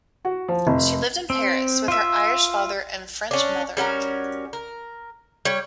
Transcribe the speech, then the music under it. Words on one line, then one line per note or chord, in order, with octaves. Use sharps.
She lived in Paris with her Irish father and French mother.
F#4
F3
F1
C4
F4 E5
C#4 D4
G3 C#4 F#4 A#4
A#4
G3 C#5